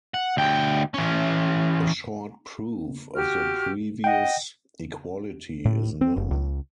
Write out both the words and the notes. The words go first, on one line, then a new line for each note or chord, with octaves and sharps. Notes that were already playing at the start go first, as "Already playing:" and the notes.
A short proof of the previous equality is known.
F#5
D2 G5
E3 C#4
F#4 G4 F6
D#5 F#5 G5
A2
C4
F#1
C#2